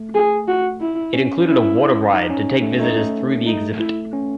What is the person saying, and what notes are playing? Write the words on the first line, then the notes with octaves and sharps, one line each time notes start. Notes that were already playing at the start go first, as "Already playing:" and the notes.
It included a water ride to take visitors through the exhibit.
Already playing: A3
G#4
F#4
E4
C#4
E4
D#4
C#4
A3
A3 D#4
D#4
E4
C#4